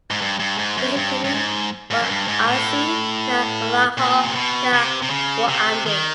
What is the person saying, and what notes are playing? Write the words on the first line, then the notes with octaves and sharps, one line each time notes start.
Kusekunee w'asi na malagho gha w'andu.
G#2
G2
G2
G#2
F#2
G2
G2
G#2
G#2
F#2
G2
G#2
A2
A#2
C3
B2
C3
C3
C#3
C3
D#3